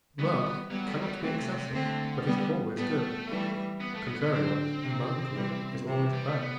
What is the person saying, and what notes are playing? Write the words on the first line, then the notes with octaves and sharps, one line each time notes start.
Mirth cannot be excessive, but is always good; contrariwise, Melancholy is always bad.
E3 G3 B3
F#3 G3 B3
A3
G3
F#3
E3 A3 C4
C3
C3
D3 A3 C4
G3 B3
G3 A3 B3
E3 G3
B3
A3
B3
B3
D3 F#3 C4
C3
E3 G3
C3 E3
G3
A3
B3